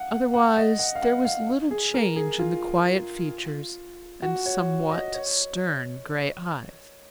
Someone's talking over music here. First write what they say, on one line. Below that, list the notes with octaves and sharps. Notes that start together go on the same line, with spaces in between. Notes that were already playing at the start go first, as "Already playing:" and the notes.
Otherwise there was little change in the quiet features and somewhat stern grey eyes.
Already playing: F5 F#5
F#5
F#5
D#5
F#5
F5
F#5
F5
G#4
A#4
G#4
F4
F#4
C#5
D#5
C#5